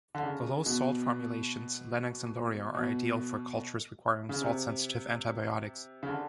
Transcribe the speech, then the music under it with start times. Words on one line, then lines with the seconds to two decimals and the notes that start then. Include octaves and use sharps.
The low salt formulations, Lennox and Luria, are ideal for cultures requiring salt-sensitive antibiotics.
0.15 D3
0.23 C#3
0.66 B2
2.74 B2
4.29 C#3
4.42 C3
6.03 C#3
6.09 D3